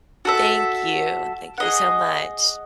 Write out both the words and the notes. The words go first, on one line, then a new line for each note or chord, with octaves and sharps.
Thank you. Thank you so much.
F#4 A4 E5
G#4 D#5 F#5